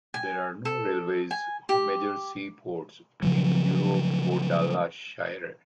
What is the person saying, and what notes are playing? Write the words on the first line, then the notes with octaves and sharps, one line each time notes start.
There are no railways or major seaports in Eurobodalla Shire.
G#5
A4
G#5
G4
C#3 F3 F#3